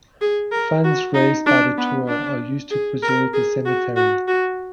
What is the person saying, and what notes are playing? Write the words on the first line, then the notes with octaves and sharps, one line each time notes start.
Funds raised by the tour are used to preserve the cemetery.
G#4
A#4
F#4
D#4
D4
B3
D4
G#4
A#4
G#4
F#4
F#4
F#4